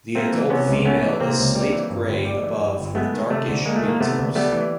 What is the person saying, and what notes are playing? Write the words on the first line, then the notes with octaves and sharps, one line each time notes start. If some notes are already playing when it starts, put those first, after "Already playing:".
The adult female is slate-grey above with darkish wingtips.
A3 A#3 C4
E3
C3 B3 C#4
C#2
A3 B3 C#4
E3
C3 A#3 C4
C#2
G3
E3
G2
G1
G3
E3
G2
G1
G#3 A3 B3
D#3
C3 A3
D2
G#3 A#3
A3
D#3
A#3
C3 A3 B3
D2
G3 A3 B3
E3